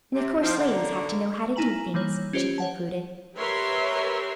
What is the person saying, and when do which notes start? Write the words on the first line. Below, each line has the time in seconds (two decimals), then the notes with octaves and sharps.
"And of course ladies have to know how to do things," she concluded.
0.15 C3
0.41 F3 C4 D#4 E4
0.57 D3 A#3 E5 F#5
0.74 D5 A#5
1.56 A#3 D#4 E4 G#5 A#5 F#7
1.94 E3 G3 A#3 C#5
2.33 C#4 F4 G4 C5 C#5
2.58 C#5 F#5 A5
3.35 G4 A#4 B4 C#5 E5 C6